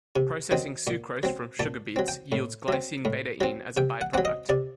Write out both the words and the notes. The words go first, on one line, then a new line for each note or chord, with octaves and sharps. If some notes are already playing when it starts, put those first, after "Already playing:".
Processing sucrose from sugar beets yields glycine betaine as a byproduct.
C3
D#3 F#3 C4
A#2
F#3 C4
A#2 A5
F#3 C4
G5
A2
F#3 C4
A2
F#3 C4
C3 G5
F#5
F#3 C4 F#5
D#5
C3 D5